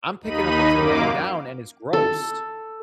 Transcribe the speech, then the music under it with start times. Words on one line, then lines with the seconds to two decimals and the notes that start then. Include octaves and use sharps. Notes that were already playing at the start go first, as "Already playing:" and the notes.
I'm picking up what you're laying down and it's gross.
0.22 D#2 D#4 B5 D#7
0.72 F#2 A#3 D6
1.93 A4